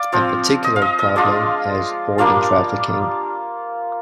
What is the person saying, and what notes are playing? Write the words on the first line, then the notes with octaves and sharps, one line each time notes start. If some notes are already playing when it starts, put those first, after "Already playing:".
A particular problem is organ trafficking.
Already playing: D5 F5
F3 C4 F4
D#5
F5
D#5
D#5
G#3 D4 F4
G3 A#3 D4 F4 F5